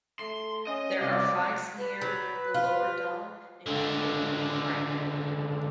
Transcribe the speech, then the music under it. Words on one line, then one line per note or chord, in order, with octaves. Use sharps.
There are finds near the lower Don and in Kuban and Crimea.
A3 C6
C#4 D#5
C2 F#3 D5
B4
F#3
F4
C#2 D3